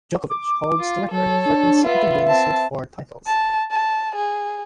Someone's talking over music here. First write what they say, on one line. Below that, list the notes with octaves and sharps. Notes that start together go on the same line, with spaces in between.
Djokovic holds the record for consecutive wins with four titles.
D6
F4
F#3 A4 C#5
D4
B3 F4 E5
C4 A5
A5
A5
G#4